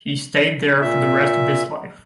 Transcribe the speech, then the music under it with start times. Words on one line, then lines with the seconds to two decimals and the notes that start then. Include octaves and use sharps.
He stayed there for the rest of his life.
0.81 A#2 E5